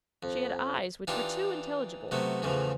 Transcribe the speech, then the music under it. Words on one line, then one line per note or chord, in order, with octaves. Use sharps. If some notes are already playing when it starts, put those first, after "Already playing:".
She had eyes which were too intelligible.
F2
E3 D4 D#4 F4 G4
C3 F#3 A3 B3
E2 A2 C#3 E3 F3